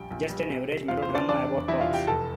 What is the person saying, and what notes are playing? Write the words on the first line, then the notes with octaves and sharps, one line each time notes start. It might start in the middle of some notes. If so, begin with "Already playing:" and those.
Just an average melodrama about cops.
Already playing: A#1 G3 G5
A#1
G3
C3
C3
E2 F4 F5
C5
E3
D4 D5
E2 D4 D5
F1
E2 E4 E5
F4 F5
C3
G4 G5
F1 A4 A5